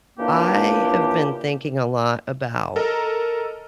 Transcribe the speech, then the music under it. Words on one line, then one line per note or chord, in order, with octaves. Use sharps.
I have been thinking a lot about
A#2 C#3 E3 A#3 D4 G4
A4 A#4 D#5 A#5